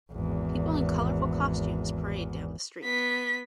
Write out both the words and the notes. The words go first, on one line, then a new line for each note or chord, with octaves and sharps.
People in colorful costumes parade down the street.
G#1 E2
B3 B6